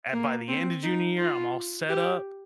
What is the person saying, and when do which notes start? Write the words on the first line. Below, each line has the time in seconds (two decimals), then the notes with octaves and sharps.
At by the end of junior year, I'm all set up.
0.13 A#3
0.48 C4
0.83 D#4
1.18 F4
1.89 G4